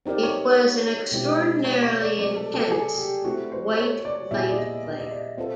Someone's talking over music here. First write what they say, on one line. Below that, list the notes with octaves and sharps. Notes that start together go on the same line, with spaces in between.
It was an extraordinarily intense "white light flare".
C4 D#4 G4 A#4 C5 D5
C#5
B2 G#3 C4 E4 G4
C#5
C#5
D5
F#3 A3 C4 D5
A4
A4
G#4
G4
A3 C4 E4 F#4
C5
C#5
D5
A#2 G3 B3 E4 G#4 E5
D5
D#5
D#5
D#5
D5
C4 F4 A4 C5